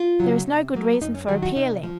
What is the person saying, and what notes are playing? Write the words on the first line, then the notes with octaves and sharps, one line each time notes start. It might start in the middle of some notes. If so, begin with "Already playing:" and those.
There is no good reason for appealing.
Already playing: F4
C#3 F#3
C3
F#3 A#3
F#2 D#4
C#4
D#3 F#3 G#4
F#4
C3 D#4
F3